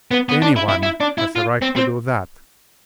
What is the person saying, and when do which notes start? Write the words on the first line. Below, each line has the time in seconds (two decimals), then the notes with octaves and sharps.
Any one has a right to do that.
0.11 B3
0.29 B3
0.42 D4
0.56 E4
0.69 E4
0.83 E4
1.00 D4
1.18 E4
1.36 F4
1.62 C4
1.76 C4